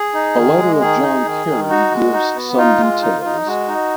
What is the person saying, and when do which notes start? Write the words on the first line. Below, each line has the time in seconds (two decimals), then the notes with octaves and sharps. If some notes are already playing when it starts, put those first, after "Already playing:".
A letter of John Carey gives some details.
Already playing: G#4
0.14 D#4
0.37 D#3
0.59 G#3
0.80 D#3 G#4
1.03 D#4
1.25 D#3
1.47 D#3
1.69 D#4 F#4
1.92 G#3
2.13 D#4
2.35 B3
2.57 D#4 F4
2.80 G#3
3.02 D#4
3.24 D#4
3.46 G#3 F#4
3.68 D#4